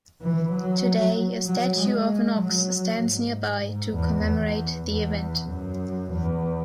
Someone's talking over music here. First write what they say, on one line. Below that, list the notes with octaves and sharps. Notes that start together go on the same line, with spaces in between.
Today, a statue of an ox stands nearby to commemorate the event.
E3
F#3
F#3
G#3
F#3
G#2
G#2
E2
E2
E2
F#2
E2